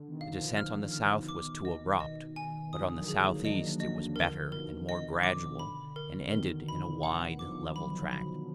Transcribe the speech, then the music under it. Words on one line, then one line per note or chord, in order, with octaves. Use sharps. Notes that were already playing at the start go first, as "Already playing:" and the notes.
The descent on the south was too abrupt, but on the south-east it was better and more gradual, and ended in a wide, level tract.
Already playing: D3
B2 D#3
F5
D3 F3
D3 F6
B2 D#3 F6
D6
D#5
D#5
G#5
D3 F3 D#6
D#3 F#3
G#4
F#3 A#3
A#3 D4 D#5
D#3 F#3 D#5
D3 F3 A#4
B2 D#3 A#4
B2 D#5
D3 D6
B5
A#4
B2 D#3 A#4
D3 B5
B2 D#3 F#5
D#3
D3 F3 D6
D#3 F#3 B5
B5